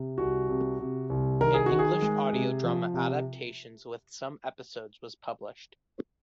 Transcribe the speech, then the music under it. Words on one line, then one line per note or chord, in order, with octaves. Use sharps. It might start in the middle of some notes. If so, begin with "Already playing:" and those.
An English Audio drama adaptation with some episodes was published.
Already playing: C3
C2 F#4
C3
C3
C2
D#3 A#4
G#4
D#3 F#4
G#4
G#3
C3
F3
C3